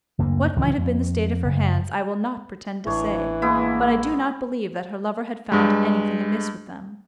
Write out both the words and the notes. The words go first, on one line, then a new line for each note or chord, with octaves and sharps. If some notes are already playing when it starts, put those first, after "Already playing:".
What might have been the state of her hands I will not pretend to say; but I do not believe that her lover had found anything amiss with them.
F#1 D2 A#3
D1 C#2 E3 F3
F2
F#1
A1 E3 D4 C#5
G#3 A#3 B3 E4
G2 G#3